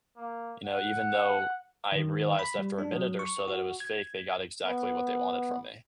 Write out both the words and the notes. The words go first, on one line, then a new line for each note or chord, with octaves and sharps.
you know, even though I realized after a minute or so that it was fake, they got exactly what they wanted from me.
A#3
F#5
D#3
B5
G3
D4
F#3
C#6
F#4
G#6
B3